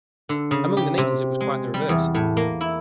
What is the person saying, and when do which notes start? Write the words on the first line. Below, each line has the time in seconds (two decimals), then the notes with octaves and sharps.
Among the natives it was quite the reverse.
0.29 D3
0.51 C#3
0.77 G4
0.98 C3
1.41 G#3
1.74 G3
1.89 E2
2.15 A2
2.37 A#3
2.61 E4